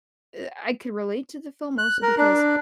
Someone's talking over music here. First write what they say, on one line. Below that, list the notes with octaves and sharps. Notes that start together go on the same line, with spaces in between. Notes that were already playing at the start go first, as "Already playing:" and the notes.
eh, I can relate to the film mostly because
F#6
A#4
D4